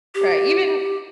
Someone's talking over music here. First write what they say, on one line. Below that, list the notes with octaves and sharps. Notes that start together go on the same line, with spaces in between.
Right, even
G4